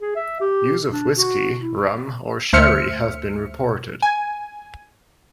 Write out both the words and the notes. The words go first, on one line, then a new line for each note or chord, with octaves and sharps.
Use of whisky, rum, or sherry have been reported.
G#4
E5
G4
D4
F#4
E4
D2 A3 C5 E5 F6 C#7
G#5